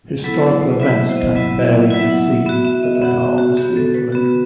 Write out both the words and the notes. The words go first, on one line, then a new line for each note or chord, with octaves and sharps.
Historical events can barely be seen, but they are obviously influential.
F#3 B3 E4 A4
B4
C5
F#3 B3 E4 E5
E5
C5
D#5
F#3 B3 E4 D#5
E5
F#3 B3 E4
E5
F#5
E5
B3 F#4 E5
E5
D#5
E5
B3 F#4 F#5
E5
F#4
B3 F#4 G4
A4
B4
B3 F#4